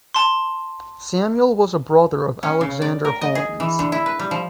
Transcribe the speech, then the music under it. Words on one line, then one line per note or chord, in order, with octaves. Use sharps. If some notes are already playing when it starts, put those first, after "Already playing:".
Samuel was a brother of Alexander Holmes.
A5 C6
C#4
C#3
D5
A#4
D#5
G#4
E3
D3
E4
B4
G3
F3